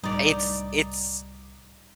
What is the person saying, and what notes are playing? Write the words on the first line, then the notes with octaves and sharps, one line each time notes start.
It's it's
C2 A2 G3 D#4 D5